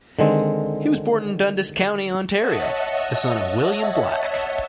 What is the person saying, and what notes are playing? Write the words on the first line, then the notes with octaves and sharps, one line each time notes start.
He was born in Dundas County, Ontario, the son of William Black.
D3 D#3 G#3 C4
C#5 D#5 E5 F#5 A5